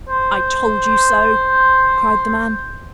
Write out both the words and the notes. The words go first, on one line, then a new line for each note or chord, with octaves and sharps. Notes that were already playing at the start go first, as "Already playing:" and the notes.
"I told you so," cried the man.
C5